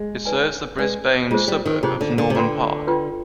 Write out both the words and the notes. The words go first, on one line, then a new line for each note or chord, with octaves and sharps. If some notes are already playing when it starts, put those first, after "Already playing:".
It serves the Brisbane suburb of Norman Park.
Already playing: G#3
D#4 B4 D5 G#5
G#3 D#4 B4 D5 G#5
G#3 D4 F4 G#4 C5
G3
D#3
C3 D4 F4 G#4 C5
D3
D3
C3
D3 F4 B4 D5 G5 C6
F4 B4 D5 G5 C6